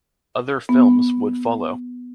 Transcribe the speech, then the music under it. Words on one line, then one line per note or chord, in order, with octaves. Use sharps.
Other films would follow.
B3